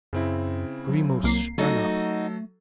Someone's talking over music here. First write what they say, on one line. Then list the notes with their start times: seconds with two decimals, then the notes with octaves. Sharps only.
Grimaud sprang up.
0.13 F#2 C#3 C4 E4
0.89 F#3
1.23 C2 A#3 C7
1.58 F#3 A3 D#4 F#4 A4